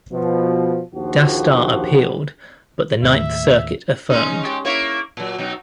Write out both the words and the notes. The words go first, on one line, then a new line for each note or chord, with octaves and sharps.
Dastar appealed, but the Ninth Circuit affirmed.
B2 F3
A#1 D#2 F3 F#4 G4
D#2 A2 E5
G#3 C#4 D#4
G#3 G4
A#3 E4 C#5
A#2 F#3
B2 F#3 D#4